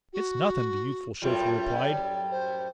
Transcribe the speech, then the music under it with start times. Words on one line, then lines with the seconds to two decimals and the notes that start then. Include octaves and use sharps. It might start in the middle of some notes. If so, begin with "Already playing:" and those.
"It's nothing," the youthful chauffeur replied.
0.13 F#4
1.22 F#2 A2 G3 F4
1.78 D5
2.31 C5